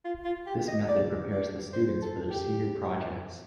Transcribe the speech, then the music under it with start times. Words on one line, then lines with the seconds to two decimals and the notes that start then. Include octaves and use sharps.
This method prepares the students for their senior projects.
0.05 F4
0.25 F4
0.47 G4
0.68 D#5
0.88 D5
1.31 D5
1.73 C5
2.02 A4
2.30 G4